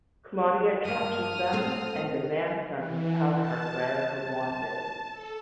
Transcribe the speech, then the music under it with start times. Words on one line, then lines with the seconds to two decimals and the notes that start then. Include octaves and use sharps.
Claudia catches them, and demands them to tell her where her wand is.
0.85 G2 A#3 D#6 F6
1.53 C4 A4 C5
2.76 E3
3.37 A5
4.15 A5
5.11 A4